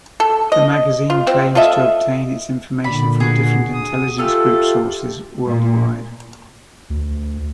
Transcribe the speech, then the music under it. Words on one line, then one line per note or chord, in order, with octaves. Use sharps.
The magazine claims to obtain its information from different intelligence group sources worldwide.
A4
D#5
F4
C4
F4 A4 D#5 E5
A#2 D3 D5 B5
F#4 G#4
D#6
A3 F4 G4 A4 F6
A#2
D2